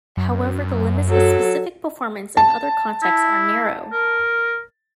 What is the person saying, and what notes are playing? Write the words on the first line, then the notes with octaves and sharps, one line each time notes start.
However, the limits of "specific performance" in other contexts are narrow.
F#2
F#3 A4
A5
E4
A#4